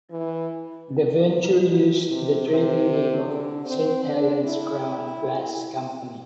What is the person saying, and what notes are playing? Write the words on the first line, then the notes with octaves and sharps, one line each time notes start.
The venture used the trading name of "Saint Helens Crown Glass Company".
E3
B2
C3
C3
D3
C4
D4
E4